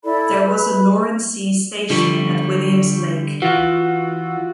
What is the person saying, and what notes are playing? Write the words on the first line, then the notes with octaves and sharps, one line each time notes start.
There was a Loran-C station at Williams Lake.
E4 A4 D5 B5
B4 B5
D3 F3 G3 C#6
E3 F4 F#4